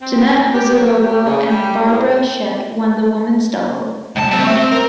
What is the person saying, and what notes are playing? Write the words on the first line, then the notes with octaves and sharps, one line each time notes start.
Janette Husárová and Barbara Schett won the women’s double.
C4
G4
F#3
G4
C#3
G3
A2
C#2 A5
G3 C4
A3 E5
C4
A#4